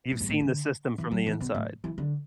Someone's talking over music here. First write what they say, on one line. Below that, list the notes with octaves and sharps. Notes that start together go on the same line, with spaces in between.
You've seen the system from the inside.
A2
F#2
A2
D3
E3
F#3
E3
B2
A2
E3
D3